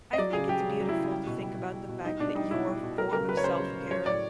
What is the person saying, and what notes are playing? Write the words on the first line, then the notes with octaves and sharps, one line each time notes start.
I think it's beautiful to think about the fact that your form of self-care
D#5
F#3 D5
C#3 G#4
F#3 G4
C#3
F#3
E4
C#3
G3
B2
G3
B2
G3
B2
G3 D#4
B2 D4
G3 D#4
B2 E4
G3
B2
F#3 A#4
C#3 A#4
F#3 B4
C#5
C#3 C5
F#3
C#3
F#3 C#5
A2 D5